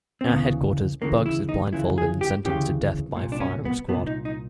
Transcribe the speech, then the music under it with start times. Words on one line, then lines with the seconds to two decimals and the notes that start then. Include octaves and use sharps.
At headquarters, Bugs is blindfolded and sentenced to death by firing squad.
0.21 C4
0.29 D2 C#3 E3 B3
1.01 D2 C#3 E3 A#3
1.26 E4
1.49 D#4
1.73 D2 C#3 E3 E4
1.98 G#4
2.21 G4
2.45 D2 C#3 E3 G4
3.16 C2 A#2
3.32 D4
3.40 C#4
3.65 B3
3.88 C2 A#2 B3
4.07 D#4
4.25 D#4